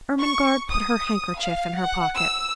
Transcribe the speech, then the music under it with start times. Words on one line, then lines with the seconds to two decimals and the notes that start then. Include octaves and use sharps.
Ermengarde put her handkerchief in her pocket.
0.19 C#6
0.70 D#6
1.38 F5
1.77 F#5
2.16 E6